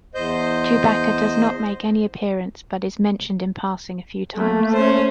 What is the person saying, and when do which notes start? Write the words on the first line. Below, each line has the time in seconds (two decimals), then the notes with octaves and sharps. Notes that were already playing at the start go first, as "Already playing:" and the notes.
Chewbacca does not make any appearance, but is mentioned in passing a few times.
0.15 E2 C5 D#5 G6
4.36 A3 A#3
4.73 C#4 C5